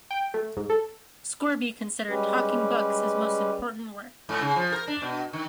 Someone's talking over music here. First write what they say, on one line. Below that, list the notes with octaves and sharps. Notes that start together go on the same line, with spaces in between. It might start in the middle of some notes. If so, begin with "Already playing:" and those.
Scourby considered Talking Books his most important work.
G5
A3
G#2
A4
G3 G#3 C#4 G4 B4
G#2
C#3
F3
A#4
D4
B2
D#3